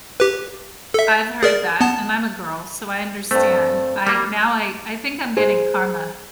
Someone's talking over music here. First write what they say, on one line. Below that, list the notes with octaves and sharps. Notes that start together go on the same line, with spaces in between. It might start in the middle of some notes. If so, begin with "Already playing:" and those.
I've heard that and I'm a girl, so I understand. I now I I think I'm getting karma
G4 B4
A4 E5
G#4 A#4 D5
B3 A5
G2 A3 C4
G3 A#3 A#4
G#4 C5